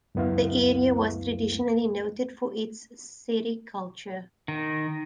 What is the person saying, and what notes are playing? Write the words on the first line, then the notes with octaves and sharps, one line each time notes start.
The area was traditionally noted for its sericulture.
C#2 F#2 B3 E4 F5
D#3